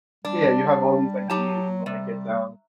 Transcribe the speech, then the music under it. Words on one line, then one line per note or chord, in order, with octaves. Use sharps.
Yeah, you have all these ideas you wanna get down.
G3 D4
F#3 D#4 G4 A5
C3 G3